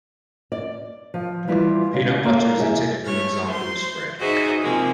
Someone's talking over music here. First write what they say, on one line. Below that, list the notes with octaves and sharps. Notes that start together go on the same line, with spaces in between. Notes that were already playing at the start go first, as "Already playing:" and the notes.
Peanut butter is a typical example of spread.
D5
F3
E3 G3 E4 F4 G4 C5
C#3 G#3
A#3 A4 C#5
E2 C3 E4 G#4 E5
A3 C#5 F6
C5 C6
D#4 F#4 G#4 C5 E5
C3 F3 G#3 A#3